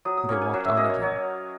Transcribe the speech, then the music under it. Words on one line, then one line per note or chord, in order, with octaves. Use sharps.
And they walked on again.
F#3 D#6
D#6
A#3 C#4 C#6
G#5
F#3 F#5
E5
A#3 C#4 D#5
C#5
F#3 C#5